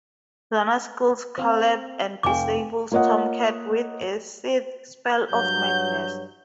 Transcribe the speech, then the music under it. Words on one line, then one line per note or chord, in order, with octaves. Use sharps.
Zannah kills Caleb and disables Tomcat with a Sith spell of madness.
C4 F5
F1 F5 G5 G#5 D6
A#3 F4 C#5 D#5 F#5
G2 F#3 G6